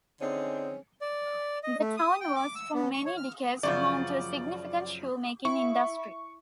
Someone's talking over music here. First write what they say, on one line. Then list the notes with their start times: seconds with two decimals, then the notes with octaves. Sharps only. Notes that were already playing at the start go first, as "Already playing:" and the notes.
The town was for many decades home to a significant shoe-making industry.
0.21 D3 C4 C#4 D#4 G#4
1.01 D5
1.64 D#5
1.80 A3
1.97 D#6
2.20 G5
2.36 D6
2.55 E6
2.74 B3
2.93 C#6
3.06 C#5
3.17 F6
3.63 F#2 C#3 F3 D5
5.45 E4 C#6